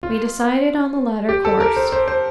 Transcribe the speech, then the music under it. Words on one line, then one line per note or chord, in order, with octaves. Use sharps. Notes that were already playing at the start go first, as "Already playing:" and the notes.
We decided on the latter course.
F4
G4
A4
A#4
C5
C5
C5